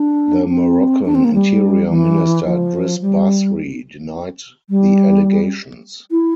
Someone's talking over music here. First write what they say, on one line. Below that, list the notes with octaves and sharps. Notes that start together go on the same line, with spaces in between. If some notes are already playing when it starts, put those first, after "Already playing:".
The Moroccan Interior Minister Driss Basri denied the allegations.
Already playing: D4
C4
D4
C4
A#3
G3
E3
F3
G3
G3
E4